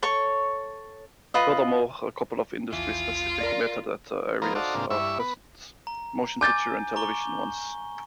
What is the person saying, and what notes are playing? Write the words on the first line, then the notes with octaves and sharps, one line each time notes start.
Furthermore, a couple of industry-specific metadata areas are present: Motion-Picture and Television ones.
A4 C#5 C#6
F4 B4 D#5
A#1 E2 E3 F4
A#4 D5
F3 A#3 B3 D#4 A#4 C5
D#4 F#4 A4 C5 D5 F5
G#2 C3 A#3 D4 F4
G2 E4 E5 C#6
B3 B4
A#5
G#5 D6 G6 A6
A#5 C#6 G7